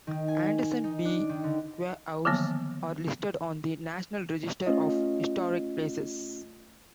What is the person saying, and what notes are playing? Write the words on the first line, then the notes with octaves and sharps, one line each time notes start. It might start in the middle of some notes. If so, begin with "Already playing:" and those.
Anderson B. Quay House are listed on the National Register of Historic Places.
D#3
G#5
D#4
D4
D#3
D3
D3 D#3 F3 F#3 A#3 B3
A3 C#4 F4 D#5